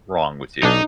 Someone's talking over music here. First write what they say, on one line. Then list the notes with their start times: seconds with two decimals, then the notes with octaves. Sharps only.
wrong with you,
0.63 B1 D4 D#4